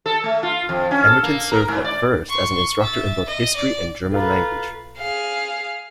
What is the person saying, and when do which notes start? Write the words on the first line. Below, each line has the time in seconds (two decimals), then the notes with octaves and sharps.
Emerton served at first as an instructor in both History and German language.
0.06 A4
0.24 A3
0.43 F4
0.69 F2
0.91 C#4
1.07 A4
1.23 A#3
1.52 A#4
1.68 G#2
1.84 D5
2.29 C6 C#6
2.80 E5 A6
3.27 D#5
3.57 D5
4.12 F4 A4 B4 F5 A#5
4.98 G#4 F5